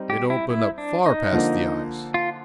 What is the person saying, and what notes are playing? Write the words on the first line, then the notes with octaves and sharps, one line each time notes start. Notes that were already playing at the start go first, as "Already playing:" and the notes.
It opened up far past the eyes!
Already playing: G3 C4 D#4
G4
E4
E4
D4
D#4
D3 F3 A#3
F4